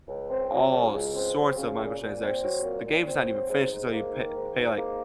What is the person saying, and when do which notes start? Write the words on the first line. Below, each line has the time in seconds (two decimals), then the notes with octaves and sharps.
all sorts of microtransactions. The game's not even finished until you pay pay, like
0.08 C#2
0.29 C4
0.51 F#3
0.72 C#3
0.93 C#2
1.15 C4
1.36 F#3
1.57 C#3
1.78 A#2
1.99 A#2
2.21 C4
2.42 F#3
2.63 A#2
2.84 A#2
3.06 C4
3.28 F#3
3.48 G#2
3.69 G#2
3.91 A#3
4.12 D#3
4.33 G#2
4.55 G#2
4.76 A#3